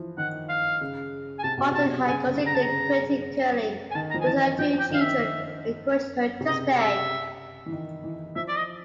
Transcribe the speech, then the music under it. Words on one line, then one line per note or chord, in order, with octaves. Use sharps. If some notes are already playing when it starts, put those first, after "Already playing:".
Martin had considered quitting curling, but her two children encouraged her to stay.
Already playing: E3 F3
D#3 F#5
F5
C#3
G#5
C3 A5
B2
C3 A5
C#3 G#5
C#3
D3
A#5
A5
A#5
C#3
G#5
D#3 A5
A#5
F3
G#5
E3 A5
G#5
F3 G5
G5
D#3 F5
E5
C3
C#3 D#5
E5
E3
D#3
E3
F3 E5
D5
D#5